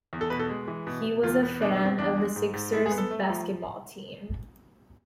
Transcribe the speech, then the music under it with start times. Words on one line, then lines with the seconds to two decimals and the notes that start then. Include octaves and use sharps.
He was a fan of the Sixers basketball team.
0.13 E2
0.21 A4
0.30 B2 B4
0.40 A4
0.50 G#3
0.68 E3
0.87 B2
1.05 B2
1.23 E2 F4
1.43 B3
1.61 B2 D4
1.74 D4
1.80 B2
1.85 C4
1.98 E2 D4
2.18 G#3
2.36 G#2
2.54 G#2
2.72 G#3 E4
2.86 G#4
2.91 B3
2.98 A4
3.11 A3
3.29 F3